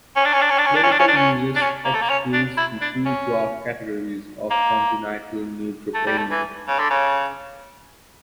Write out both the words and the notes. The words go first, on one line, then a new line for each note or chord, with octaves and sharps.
Clinical usage excludes two broad categories of congenital neutropenia.
C#4
D4
C#4
D4
C#4
D4
C#4
D4
C#4
D4
C#4
D4
C#4
D4
C#4
A#3
A3
A#3
C#4
D4
E4
D4
C#4
A#3
A3
G3
A3
E3
C#3
D3
C#3